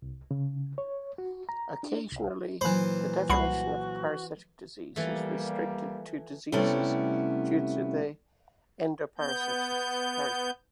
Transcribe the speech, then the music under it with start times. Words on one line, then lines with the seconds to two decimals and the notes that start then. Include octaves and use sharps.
Occasionally the definition of "parasitic disease" is restricted to diseases due to endoparasites.
0.02 C2
0.31 C#3
0.78 C#5
1.18 F#4
1.49 A#5
1.83 D4
2.13 C2
2.61 A#2 E3 F#3 C5 B5
3.30 C2 F#4 B5 C7
4.96 E3 F3 G3 A3 A#3
6.52 C3 G3 A3 B3 C#4 E4
9.18 B3 G6